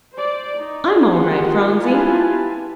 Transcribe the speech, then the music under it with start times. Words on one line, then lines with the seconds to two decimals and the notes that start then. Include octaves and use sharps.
I'm all right, Phronsie.
0.15 C5 D5
0.57 D#4
1.13 D#3 F4 G4 G#4 F#5 C6
1.80 E4 F4 G4 B4 G#5 A5